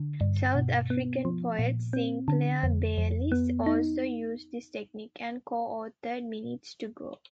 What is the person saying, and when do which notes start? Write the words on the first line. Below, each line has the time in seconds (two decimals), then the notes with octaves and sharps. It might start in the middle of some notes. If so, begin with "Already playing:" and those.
South African poet Sinclair Beiles also used this technique and co-authored "Minutes To Go".
Already playing: D3
0.21 G2
0.55 B2
0.90 B3
1.25 F3
1.59 A#2
1.93 C4
2.28 D3
2.63 F2
2.98 F2
3.32 B3
3.66 D#4